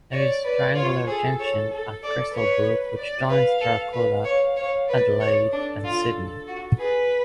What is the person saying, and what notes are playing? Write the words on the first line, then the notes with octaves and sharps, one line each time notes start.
There is a triangular junction at Crystal Brook which joins Tarcoola, Adelaide and Sydney.
C#5 D5
B4 D5
F4 C#5
G#4 A4
C#5
A4
A4 D5
B4 C#5
D5
B4 F5
A4
B4 F5
C#5
C#5
B4 D5
C#5
D4 A4
F4
F#4
G#4 B4